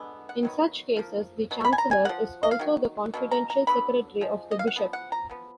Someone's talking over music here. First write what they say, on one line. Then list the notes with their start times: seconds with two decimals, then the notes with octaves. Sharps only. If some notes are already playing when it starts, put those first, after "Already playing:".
In such cases the chancellor is also the confidential secretary of the bishop.
Already playing: D3 G#3 B3
0.29 F#5
0.43 D#3 F#3 B3
0.97 F3 A#3
1.51 B2 F#3
1.65 B5
1.73 G#5
1.78 A#5
1.91 G#5
2.05 F3 A#3 F#5
2.43 D#5
2.51 F5
2.59 D#3 F#3
3.14 B2 F#3 A#3
3.31 A#5
3.50 A#5
3.67 D3 F#3 B3 B5
4.21 F3 G#3
4.51 D#5
4.59 F5
4.67 F#5
4.76 F3 B3
4.93 F#5
5.12 A#5
5.30 F3 B3